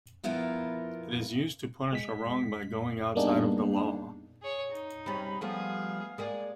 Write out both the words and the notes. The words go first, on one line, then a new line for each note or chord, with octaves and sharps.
It is used to punish a wrong by going outside of the law.
F3 B3 E4 F4 A#4
G#3 B6
G3 A#3 B3 D4 D#4 G#4
G#4 C#5
D#4
C3 G3 C#4 G#4 B5
F3 G3 A3 B3 G#4 F5
G#3 A#3 G#4 D5